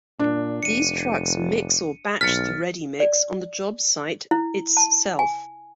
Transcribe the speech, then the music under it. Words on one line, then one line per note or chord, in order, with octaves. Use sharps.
These trucks mix or batch the ready mix on the job site it's self.
A#2 D4
F1 C#7 D#7
B1 F6 A6 B6 C#7
D5
E4
A5
G#5